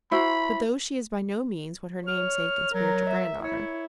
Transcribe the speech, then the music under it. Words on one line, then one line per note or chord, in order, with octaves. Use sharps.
But though she is by no means what her namesake and spiritual grand-daughter.
E4 F#4 C5 B5
C#5 F6
F#3 A#4
E5
E4 C#5